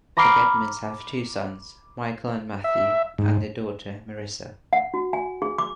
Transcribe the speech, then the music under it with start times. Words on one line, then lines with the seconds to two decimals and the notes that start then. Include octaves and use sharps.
The Gedmans have two sons, Michael and Matthew, and a daughter, Marissa.
0.17 A#5 B5 D6 F6 C7 D7
2.64 E5
3.18 G#2
4.73 F#5
4.94 F#4
5.13 G#5
5.42 G#4
5.58 D6